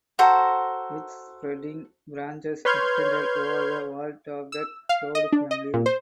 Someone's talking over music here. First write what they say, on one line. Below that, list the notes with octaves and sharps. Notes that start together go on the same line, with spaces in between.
Its spreading branches extended over the vault of that proud family.
F#4 A4 C5 A#5
B4 C#5 C6 F6 G6 G#6
E6
F5
D#5
D4
D#5
A#2
C5